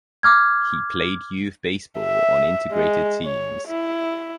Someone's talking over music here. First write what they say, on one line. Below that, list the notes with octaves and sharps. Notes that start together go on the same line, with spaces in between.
He played youth baseball on integrated teams.
D6 F6 G#6
E5
G#3
C#5
E4